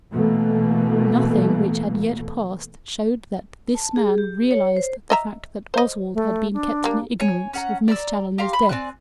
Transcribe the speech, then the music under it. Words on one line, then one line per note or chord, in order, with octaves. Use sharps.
Nothing which had yet passed showed that this man realised the fact that Oswald had been kept in ignorance of Miss Challoner's death.
B2 E3 A3 A#3
A5
G#4
G4
C#5
C5
D#5 E5 A#5
C5 D#5
A3
D4
G3 A#3
C#5 G#5
C#4 F#5 A#5
D5 A#5 B5 E6
G4 F5 A#5 C6
B5 C6
C4 D5 G#5 F#6